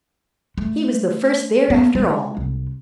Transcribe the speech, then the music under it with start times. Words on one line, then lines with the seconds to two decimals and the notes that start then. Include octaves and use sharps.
He was the first there after all.
0.58 A3
1.70 B3
1.95 G#3
2.37 C2